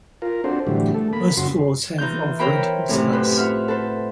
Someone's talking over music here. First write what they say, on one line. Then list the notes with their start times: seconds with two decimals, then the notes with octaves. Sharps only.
Most floors have of rentable space.
0.22 F4 A#4
0.44 C4 D4 F#4 A4 C5
0.67 A2 D3 E3 F#3 G3
0.94 A3 A4
1.13 A#3 B5
1.37 F#2 C#3 F#4 C6
1.98 E3 D#4 F4 G6
2.39 A#4 C5 C#5 E5 G5 B5
2.88 F#2 A2 C3
3.13 B4 C5
3.37 F4 E5 F#5 F6
3.68 A4 B4 C5